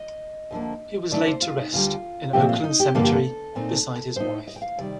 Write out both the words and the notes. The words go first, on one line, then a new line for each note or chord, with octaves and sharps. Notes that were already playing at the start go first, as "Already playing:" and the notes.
He was laid to rest in Oakland Cemetery, beside his wife.
Already playing: D#5
D2 D3 F3 A#3
D3 A3 D4 D5
C5
F4
D#4
D2 D3 G3 F4
A#2 F3 A3 C4 G4
F4
D#4
G4
G2 D3 F3 A#3 A4
G4
A4
A#2 A3 C4 D#4
A2 A3 D#4 C5
D#5
G5
F5
C3 D#3 G3 D5